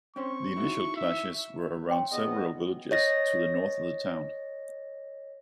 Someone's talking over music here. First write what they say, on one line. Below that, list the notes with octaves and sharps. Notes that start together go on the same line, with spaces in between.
The initial clashes were around several villages to the north of the town.
C4 C#4 C5 C#6
D#4 E4 F#4
E5
C#5 G5 C6
E2 B3 D#5
C#5 D#5 A#6